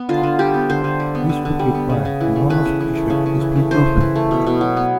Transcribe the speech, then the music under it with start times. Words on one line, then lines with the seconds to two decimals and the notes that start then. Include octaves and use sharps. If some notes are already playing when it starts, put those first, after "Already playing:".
This would require enormous pressure to split open.
Already playing: B3
0.09 D3 F4
0.23 D3
0.39 G3 G4
0.54 B3
0.70 D3 C5
0.84 D3
1.00 G3
1.15 B3
1.29 D3
1.45 D3
1.59 G3
1.74 B3
1.90 C#3
2.05 C#3
2.21 E3
2.36 A3
2.50 C#3 B4
2.65 C#3
2.81 E3
2.95 A3
3.10 C#3
3.26 C#3
3.41 E3
3.56 A3
3.71 C#3 C5
3.86 C#3
4.00 E3
4.16 A3
4.31 B2
4.46 B2
4.61 F#3
4.77 B3